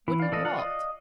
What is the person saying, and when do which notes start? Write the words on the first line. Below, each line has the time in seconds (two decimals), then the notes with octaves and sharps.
"Wouldn't what?"
0.08 E3 E4
0.20 D5 F5
0.32 E3 A4 D#5
0.45 F4 F#5
0.59 D#5